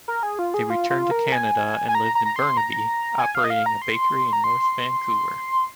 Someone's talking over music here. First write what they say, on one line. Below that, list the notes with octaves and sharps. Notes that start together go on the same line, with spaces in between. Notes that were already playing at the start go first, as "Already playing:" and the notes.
They returned to Canada and lived in Burnaby, operating a bakery in North Vancouver.
A#4
G#4
F4
G#4
F4
F4
A#4
G#5
G#5
A#5
A#5
A#5
C6
A#5
G#5
F5
D#5
F5
A#5
C6
A#5
C6